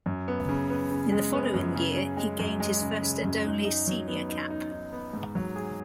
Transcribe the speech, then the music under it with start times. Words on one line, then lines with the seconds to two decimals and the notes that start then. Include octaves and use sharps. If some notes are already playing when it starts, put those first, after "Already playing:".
In the following year, he gained his first and only senior cap.
0.06 F#2
0.28 B3
0.49 C#3
0.70 B3
0.91 C#3
1.12 G#3
1.33 B3
1.54 F#2
1.75 C#3
1.96 C#3
2.17 G#3
2.39 F#2
2.60 G#3
2.81 C#3
3.02 C#3
3.23 F#2
3.44 D#4
3.65 D#4
3.87 F#3
4.08 B3
4.29 D#4
4.50 D#4
4.72 D#4
4.93 B3
5.13 G#2
5.35 F#3
5.56 G#4